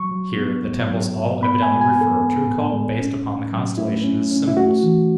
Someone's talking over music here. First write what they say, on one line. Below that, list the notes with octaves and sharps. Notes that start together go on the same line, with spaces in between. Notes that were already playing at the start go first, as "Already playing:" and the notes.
Here the temples all evidently refer to a cult based upon the constellations as symbols.
Already playing: F#3 C#6
F#3
B3
G#2
F#3
G#2
B3 B5
G#5
G#3
G#5
B3
A4
B3
A2
G#3
C#4
A2
F#3
A3 E4
C#4
C#4
E4
A3 F#4
E3